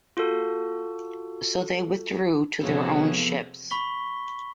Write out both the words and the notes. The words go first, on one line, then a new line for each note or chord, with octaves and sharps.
So they withdrew to their own ships.
F4 F#4 A4
C3 F3 B3 F#4 G#4 A4 C#5
F3
B5 C#6 B6 G7